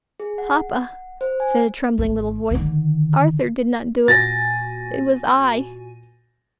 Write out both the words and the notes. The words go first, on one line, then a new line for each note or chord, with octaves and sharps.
"Papa," said a trembling little voice, "Arthur did not do it; it was I."
G#4
F#5
C5
G#5
G#1
D3 D#3
A#2 F#4 G#5 A6 A#6